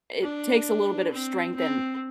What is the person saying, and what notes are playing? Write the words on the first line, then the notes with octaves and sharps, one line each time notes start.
it takes a little bit of strength and
D4
C4
C4